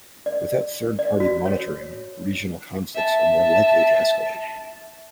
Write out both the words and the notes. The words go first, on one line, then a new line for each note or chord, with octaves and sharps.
Without third-party monitoring, regional conflicts are more likely to escalate.
D5
D5
F#4
C#5
E5 A5